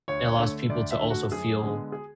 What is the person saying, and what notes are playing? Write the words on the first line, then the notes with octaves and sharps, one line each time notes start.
it allows people to also feel
D2 C#5
D3 A3
D2 D5
E5
D3 A3
F#4
F#2 G#4
D3 G#3 B3
G#4